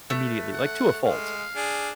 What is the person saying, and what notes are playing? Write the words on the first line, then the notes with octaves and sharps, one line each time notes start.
immediately- like, to a fault,
A3 B4
F#5
G#3 F5
D4 G#4